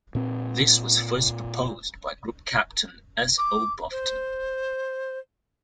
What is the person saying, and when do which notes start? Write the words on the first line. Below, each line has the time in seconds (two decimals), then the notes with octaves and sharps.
This was first proposed by Group Captain S. O. Bufton.
0.15 A#2 C4
3.38 D6
3.91 C5